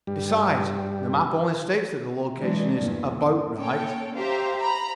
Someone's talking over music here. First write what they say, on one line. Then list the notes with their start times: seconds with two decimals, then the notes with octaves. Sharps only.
Besides, the map only states that the location is 'about' right.
0.07 G2 G3
2.38 E3 F#3 G#3 D4
2.77 E2 G2 A#2
3.25 C#3
3.58 A#3 C#4 A4 C#5 G5
4.15 G4 C5 E5 F5 A#5
4.60 A#5 B5